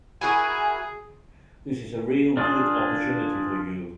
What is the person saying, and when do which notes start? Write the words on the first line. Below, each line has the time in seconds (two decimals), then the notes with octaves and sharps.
This is a real good opportunity for you.
0.21 E4 F#4 G#4 A#4 G#5
2.37 D4 F4 G#4